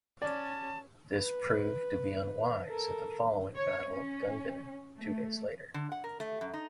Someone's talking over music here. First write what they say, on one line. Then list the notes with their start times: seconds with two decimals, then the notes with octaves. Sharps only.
This proved to be unwise at the following Battle of Gumbinnen two days later.
0.22 C#4 D5 A5
1.13 B4
2.67 A4 A#4
3.55 C#5
3.89 C#4
4.99 A3
5.74 D3
5.92 F#5
6.04 A#4
6.20 A3
6.41 F#2
6.53 D#4